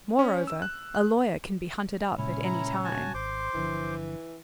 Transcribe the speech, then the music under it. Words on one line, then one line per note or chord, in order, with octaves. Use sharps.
Moreover, a lawyer can be hunted up at any time.
C#4
E6
F#6
F#6
A#2 C#3 G#3 C#4 E4
E4 A#5
F#4 G#5 A5
G#1 C5 C6 D6
G1 D3 E3 F3